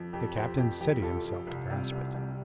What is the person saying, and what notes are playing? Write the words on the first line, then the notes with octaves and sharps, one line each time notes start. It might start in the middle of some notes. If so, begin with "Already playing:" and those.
The Captain steadied himself to grasp it.
Already playing: F2 F3
F2 G4
F3 G4 C5
F2 G4
F3 G4
F2 F4 A4
F3
C2
C3 G3
C2
C3 G3